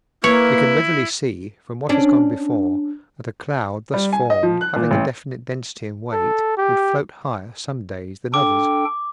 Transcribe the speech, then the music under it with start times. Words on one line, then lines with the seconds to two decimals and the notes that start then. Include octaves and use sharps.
We can readily see from what has gone before that a cloud thus formed, having a definite density and weight, would float higher some days than others.
0.24 A#3 E4 B4 C#5
1.89 C#4 D4
3.94 G3
4.13 G#5
4.30 D#5
4.43 F3
4.61 F#6
4.76 A#2
4.91 A1
6.13 A4
6.58 G4
8.34 D4 A4 G5 D6